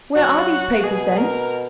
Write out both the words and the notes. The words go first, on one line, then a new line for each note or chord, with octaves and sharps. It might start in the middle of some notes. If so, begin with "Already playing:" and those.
"Where are these papers, then?"
F#3 F#4
B2 G#4
A#4